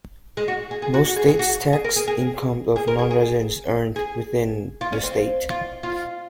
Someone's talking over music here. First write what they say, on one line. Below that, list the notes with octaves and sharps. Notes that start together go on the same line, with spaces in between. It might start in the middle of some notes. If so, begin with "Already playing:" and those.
Most states tax income of nonresidents earned within the state.
G#3
F#4
G#4
G#4
F#4
F#4
G#4
G#4
F#4
G#4
A#4
G#4
G#4
G#4
A#4
G#4
G#4
G#4
F4
C#4
C4
F4
F4